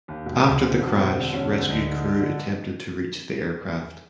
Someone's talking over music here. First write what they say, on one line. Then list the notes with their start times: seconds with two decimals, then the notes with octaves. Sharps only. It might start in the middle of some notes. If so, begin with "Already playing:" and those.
After the crash rescue crew attempted to reach the aircraft.
0.08 D#2
0.26 E1
0.44 D2
0.62 D3 C4
0.79 E1
0.89 B3
0.98 E1 C4
1.15 D3
1.33 E1 C#4
1.51 D3
1.68 D2 D#4
1.86 D3
2.04 D3
2.22 D3